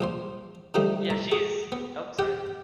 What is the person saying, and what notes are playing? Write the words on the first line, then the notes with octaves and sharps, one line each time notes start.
Yeah, she's ope, sorry.
A#1 F3 C6
D3 D#3 F3 G3 A3 D#4
A2 A#5
F#4 G#4
B3
G4 F#5 G5